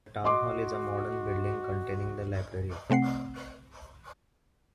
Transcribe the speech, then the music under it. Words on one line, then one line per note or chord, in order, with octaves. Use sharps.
The town hall is a modern building containing the library.
F#4 D#5 C6 D6
C3 A3 C4 F#5 C7